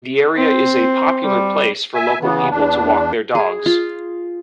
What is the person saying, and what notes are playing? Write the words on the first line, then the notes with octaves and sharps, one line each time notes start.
The area is a popular place for local people to walk their dogs.
C4
G3
E5 G#5
C#3 E3 B3
E2 D4
G#4
F4